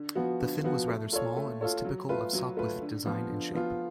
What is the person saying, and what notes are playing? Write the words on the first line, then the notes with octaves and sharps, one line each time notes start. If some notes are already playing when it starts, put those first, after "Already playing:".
The fin was rather small and was typical of Sopwith design in shape.
Already playing: D3
F3 B3 F#4
D3
F3 B3 F#4
A3
F4 A4 C#5
A3
F4 A4 C#5
F#3
A3 F4 B4
F#3
A3 F4 B4
D3
F3 B3 F4
D3
F3 B3 F4